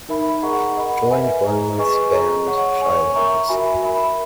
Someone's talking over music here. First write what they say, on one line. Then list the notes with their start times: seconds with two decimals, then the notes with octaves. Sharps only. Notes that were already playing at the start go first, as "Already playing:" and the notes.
Joined Bournemouth's band Shy Limbs.
0.09 D#4 A#4 E5 B5
0.42 G#4 D#5 F#5 A#5 C#6
0.77 A#4 D#5 F#5 B5
1.10 B4 E5 G#5
1.44 G#4 D#5 A#5
1.78 G#4 B4 D#5 G#5 C#6
2.12 G#4 D#5 A#5 C#6
2.46 C#5 F#5 C#6
2.80 C#5 G#5 C#6
3.14 A#4 E5 A#5 C#6
3.48 F#4 A#4 E5 G#5 B5
3.82 A#4 E5 B5